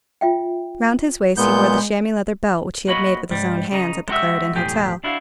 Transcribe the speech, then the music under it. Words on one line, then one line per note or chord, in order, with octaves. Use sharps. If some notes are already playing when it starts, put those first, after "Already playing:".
Round his waist he wore the chamois-leather belt which he had made with his own hands at the Clarendon Hotel.
F4 E5 G5
A#2 G#3 B3 G6
A#3 F#4 C#5 D#5 B5
C#2 G#2 G3
C#3 D#4
G#3 D#4 F#4 G4 E5
B1 E2 A2 G4 G#4
D4 E4 F#4 F5